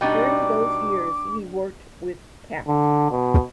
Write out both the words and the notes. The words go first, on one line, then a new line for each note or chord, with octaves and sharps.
During those years he worked with Capt.
B2 G3 D4 D#4 G5 D6
D3
B2